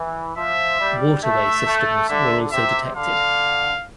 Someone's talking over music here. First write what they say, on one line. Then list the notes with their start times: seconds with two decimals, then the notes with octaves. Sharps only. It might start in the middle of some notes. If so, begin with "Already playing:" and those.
Waterway systems were also detected.
Already playing: E3
0.37 F3 E5
0.80 G3
1.23 A3 E5
1.67 A3
2.08 D3 E5
2.51 C3 E5
2.96 D3 F5